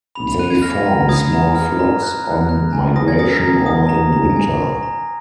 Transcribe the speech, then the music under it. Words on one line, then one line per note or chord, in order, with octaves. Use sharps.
They form small flocks on migration or in winter.
B5 F7
F7
F#6 D#7
G#6
F6 A#6
A#5 A#6
D#6 G#6
A#5
F6
A#5
F#6
F#6
F#6
G#5
D#6 A#6
G#6
D#6 A#6
G#6
A#5
D#6
A#5
A#5
G#5
G#5
A#5